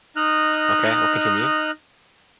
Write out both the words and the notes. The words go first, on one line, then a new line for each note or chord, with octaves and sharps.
Okay, well, continue.
D#4 D#5 F6 F#6